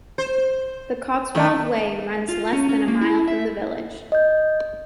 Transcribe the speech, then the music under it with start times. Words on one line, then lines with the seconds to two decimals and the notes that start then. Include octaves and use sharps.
The Cotswold Way runs less than a mile from the village.
0.18 C5
1.35 F#2 D#3 A3
2.29 F4
2.53 C#4
2.69 C#4
2.88 A#3
3.01 E4
3.28 E5
4.12 D#5 G6